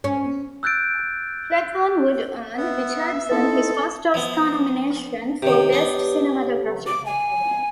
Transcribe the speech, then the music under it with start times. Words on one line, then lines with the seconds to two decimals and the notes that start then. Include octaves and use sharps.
"Platoon" would earn Richardson his first Oscar nomination for Best Cinematography.
0.04 C#4
0.63 E6 F#6 G6 A6 D7
2.57 B3 E5
3.31 C4 D#4 E4 A4
4.14 F3 B3
5.42 C3 D#3 G4 B4 C#5
5.73 B3 D4
6.87 D6
7.06 G#5